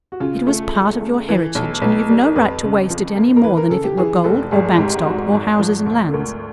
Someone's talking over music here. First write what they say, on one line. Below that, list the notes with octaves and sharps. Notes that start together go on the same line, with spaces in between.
It was part of your heritage, and you've no right to waste it any more than if it were gold or bank stock or houses and lands.
F#4
C#3 F4
A3
E2
A3
E3
B1
B1 B4
G3
A#4
F2 B4
C#3
F3
A#3
A#4
E3 B4
A#4
C#3 A4
G4
E3 G#4
F1 A4
G#1 G#4
G#2 G4
G#1 F#4
G#1
F3
D2
A4
D2 A#4